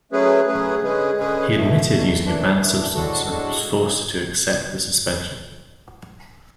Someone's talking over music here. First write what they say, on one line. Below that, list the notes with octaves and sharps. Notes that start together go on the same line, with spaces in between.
He admitted using a banned substance and was forced to accept the suspension.
F#3 A3 C#4 G#4 B4
F#3 A3 C#4 G#4 B4
D3 G#3 C#4 G#4 B4
D3 G#3 C#4 G#4 B4
E2 B2 A3
E2 B2 A3
F#2 E3 A3 D4
F#2 E3 A3 D4
A2 G#3 D4 F#4 A4
A2 G#3 D4 F#4 A4
F#2 C#3 F#3